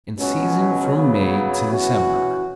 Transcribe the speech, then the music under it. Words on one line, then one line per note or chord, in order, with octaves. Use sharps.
In season from May to December.
C#2 B2 F#3 C#4 F#4
C#3 F#3 B3
E3 C#4 F#4